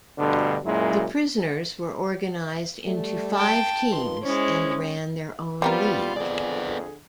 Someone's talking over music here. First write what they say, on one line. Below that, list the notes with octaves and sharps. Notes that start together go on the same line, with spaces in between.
The prisoners were organised into five teams and ran their own league.
D2 G2 B2 D3
F#2 A#2 F#3 G#3 E4
G3 A3
G5 A5
D#3 F4 B4 C6
G#3 C#4 E4 C5
F3 G3 B3 C4 F4 G4 A#4
F2 D3 B3 G#4 D5